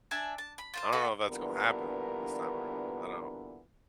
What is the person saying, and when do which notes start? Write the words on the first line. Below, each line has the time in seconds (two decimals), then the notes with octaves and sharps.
I don't know if that's gonna happen this time around. I don't know.
0.11 D4 E5 G#5 A5
0.38 A5
0.58 B5
0.74 F4 C5 A5
0.92 B3 F4 F#4 A4
1.29 G2 A#2 D3 E3 B3 A#4